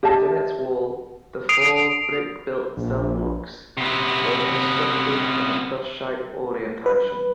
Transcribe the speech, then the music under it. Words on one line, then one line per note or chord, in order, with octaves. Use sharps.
Within its wall, the four brick-built cell blocks were constructed in a cross-shape orientation.
G4 D#5 E5 A5
D#6 C7 D7 F7
A#1
C3 B3
B4